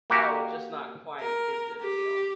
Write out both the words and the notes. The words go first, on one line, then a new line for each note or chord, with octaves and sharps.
Oh, just not quite as good as him.
A#3 F#4 G4
A#4
G4